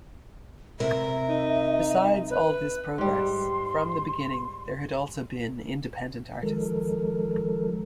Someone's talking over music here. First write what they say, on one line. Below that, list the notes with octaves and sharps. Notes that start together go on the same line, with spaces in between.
Besides all this progress, from the beginning there had also been independent artists.
C3 A#4 E5
D#4
B4
G#2 G3 C6
D#3 F3 G#3 A4 A#4